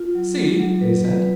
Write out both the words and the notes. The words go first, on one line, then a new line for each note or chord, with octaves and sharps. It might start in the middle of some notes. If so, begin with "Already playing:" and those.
"See!" they said.
Already playing: F4
F#3
F#3
F#3
B4
B4